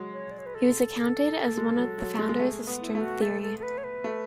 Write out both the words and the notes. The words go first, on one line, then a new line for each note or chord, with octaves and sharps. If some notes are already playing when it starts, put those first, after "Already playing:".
He was accounted as one of the founders of string theory.
Already playing: F#3 G#3
C#5
D5
C#5
B4
A4
G#3
F#3
F#3
G#3
G#3
A3 G#4
B3
E4
A3
F#4
A3 A4
A4
A4
B4
C#5
B4
A3